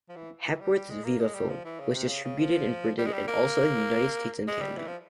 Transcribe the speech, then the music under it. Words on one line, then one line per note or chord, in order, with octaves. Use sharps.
Hepworth's vivaphone was distributed in Britain and also in the United States and Canada.
F3
E3
E3
G3
G3
G#3
A#3
G#3
G3
F3
E3
C#3
C3
C#3
C#3
F3
G3
G#3
G3
A#3
G#3
G3
E3
F3